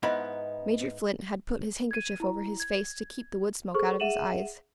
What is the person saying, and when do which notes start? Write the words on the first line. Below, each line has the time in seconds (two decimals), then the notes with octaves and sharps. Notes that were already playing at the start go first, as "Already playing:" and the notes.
Major Flint had put his handkerchief over his face to keep the wood- smoke out of his eyes.
0.03 G#2 B3 D#4 E4 B5
1.91 G#6 D#7
2.20 E4 A#5
2.60 G#6
3.74 G#4 A4 C5 C#6
4.00 G#4 E5 F#5 D#7 E7 F#7